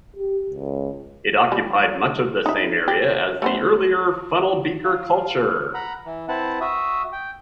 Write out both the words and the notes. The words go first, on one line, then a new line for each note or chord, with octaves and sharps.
It occupied much of the same area as the earlier Funnelbeaker culture.
G4
C#2
F3 G3
D#4 E5
G4
A3 B3 C5
F4
F#5 A#5 B5
E3
C4 E4 B4 F#5 A5
F#4 E5 D#6
G5